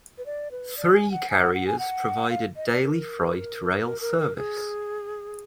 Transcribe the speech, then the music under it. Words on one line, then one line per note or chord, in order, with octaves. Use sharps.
Three carriers provide daily freight rail service.
B4
D5
B4
D5
G#5
F#5
G#5
F#5
F#5
G#5
F#5
F5
D#5
D5
A#4
A#4
A#4
A#4
G#4